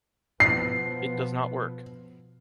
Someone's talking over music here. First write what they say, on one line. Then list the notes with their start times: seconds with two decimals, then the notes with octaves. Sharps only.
It does not work.
0.40 B2 F3 B3 C7